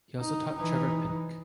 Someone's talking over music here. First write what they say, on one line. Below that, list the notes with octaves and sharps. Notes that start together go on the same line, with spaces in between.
He also taught Trevor Pinnock.
D#4
E3 D#4